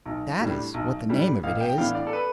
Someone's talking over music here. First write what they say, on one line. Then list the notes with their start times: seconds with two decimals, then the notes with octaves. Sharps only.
That is what the name of it is.
0.06 B1
0.39 A2 G3 D4
0.74 B1
1.09 A2 G3 D4
1.43 A1 F5
1.61 G5
1.78 A2 E3 B3 D4 F5
1.95 D5
2.07 A4
2.13 B4